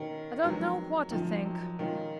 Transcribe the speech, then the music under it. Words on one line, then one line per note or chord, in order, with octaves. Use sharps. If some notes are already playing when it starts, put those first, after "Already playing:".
"I don't know what to think."
Already playing: B2 D#3 A#3 C#4
F2 D#3 F#3 G#3 B3 D#4
G#1 F#2 D#3 F3
F#3
A#2 D#3 G#3 C#4 F4